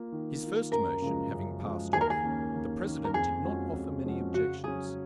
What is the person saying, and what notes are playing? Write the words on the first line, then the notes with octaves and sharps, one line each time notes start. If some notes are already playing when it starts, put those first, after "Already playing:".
His first emotion having passed off, the President did not offer many objections.
Already playing: A#3 F4
D#3
A#3 F4
F#2 A#4
C#3 F3 G#3
F#2
C#3 F3 G#3
D#2 G#4
A#4
G#4
D#3 A#3 C#4
D#2
D#3 A#3 C#4
A#4
F2 G#4
F3 G#3 C#4 F#4
F2
F3 G#3 C#4 F#4
C#3 F#4
F#3 C#4 G#4